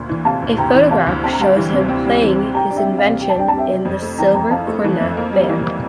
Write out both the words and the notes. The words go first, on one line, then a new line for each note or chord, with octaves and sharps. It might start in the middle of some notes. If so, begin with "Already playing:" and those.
A photograph shows him playing his invention in the Silver Cornet Band.
Already playing: D2 A#2
E3
C3 F5 A5
D2
D2 G5 A#5
E3
C3 F5 A5
D2
C4 A5
A#5
G3 F5 A5
E3
C3
C4
G3
E3
C3
G4 G5 A#5
D4
E5 G5
G3
D5 F5
C3
G4 G5
A5
D4 G5
G3 A5
E5 G5
C3
F2
A3
E3 G5 A#5
F2 G5 A#5
F2 F5 A5
A3
E3
F2
A#3
G3
E3